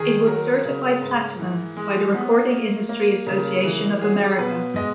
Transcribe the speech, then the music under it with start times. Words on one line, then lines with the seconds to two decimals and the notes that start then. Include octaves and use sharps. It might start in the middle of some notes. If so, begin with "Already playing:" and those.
It was certified Platinum by the Recording Industry Association of America.
Already playing: D#3 G#4
0.26 F#3 A#4
0.65 C#3
1.01 G#2
1.39 E3
1.77 G#3
2.14 B3
2.51 A#3
2.89 A#3
3.26 C#3 A#4
3.64 E3
4.01 F#3 G#4
4.38 B2 B4
4.76 G#3 D#5